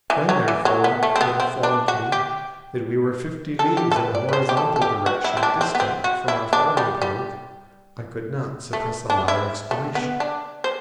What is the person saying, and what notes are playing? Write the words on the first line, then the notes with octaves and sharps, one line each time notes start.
When, therefore, he informed me that we were fifty leagues in a horizontal direction distant from our starting point, I could not suppress a loud exclamation.
E3
F#3
E3
F#3
B3
A3
C4
B3
C4
D4
F#4
G4
A4
G4
A4
B4
D5
B4
C5
G4
A4
A4
G4
F#4
E4
C4
D4
C4
B3
C4
F#4
E4
D4
G3
G3
A3
D4
E4
A3
B3
D4
C5